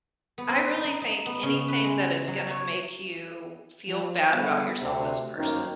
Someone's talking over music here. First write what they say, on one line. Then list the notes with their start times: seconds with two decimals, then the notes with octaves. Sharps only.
I really think anything that is gonna make you feel bad about yourself as a person.
0.38 B3
0.49 C4
0.68 B4
0.84 D#4
1.02 D#4
1.26 B3
1.43 C#3
1.68 B4
1.84 G#3
2.28 F#3
2.50 C#5
3.88 F3
4.32 D3 G3 G#3 B3
4.81 D2 C3
5.37 G1 F#2 D#3 A#3 D#4 C5